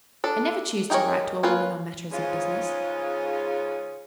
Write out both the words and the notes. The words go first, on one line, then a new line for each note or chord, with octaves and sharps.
I never choose to write to a woman on matters of business.
D4 A4
D#4 G4 G#4 A#4 C#5
A#3 C#4 F4 B4
G#2 C#3 G#3 C#4 F4 G#4